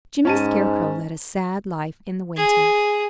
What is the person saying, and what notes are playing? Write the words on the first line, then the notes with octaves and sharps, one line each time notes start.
Jimmy Scarecrow led a sad life in the winter.
G#2 C#4 A5 D#7
G#4